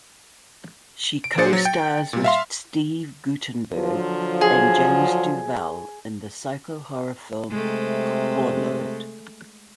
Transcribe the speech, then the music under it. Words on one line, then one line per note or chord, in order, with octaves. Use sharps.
She co-stars with Steve Guttenberg and James Duval in the psycho horror film Cornered!
D7
A#2 D4 G#4 C5 A6 C#7
F#3
G5
A#2 G3
E5 F5 C6
D3 F3 F#3
G#4
C3 G#3 A3